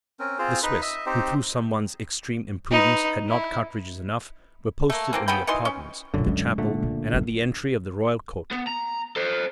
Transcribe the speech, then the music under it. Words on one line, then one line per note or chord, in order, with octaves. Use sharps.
The Swiss, who through some one's extreme imprudence had not cartridges enough, were posted in the apartments, the chapel, and at the entry of the Royal Court.
C4 C#4 A#4
C4 F4 G#4 C5
D#4 B4
D#5 E5
C4 D#4 G4 C5
D#4 B4
E4
A3 A#3
E3 A#3 C4
C#3 B3 G5 B5
B2 E3 D#4 C6
C#4
F#2 A#2 D3 F#3
G#3 C#4
A#2 D3 A3
A#1
F#1 F#3
B3
A#5
A4 C5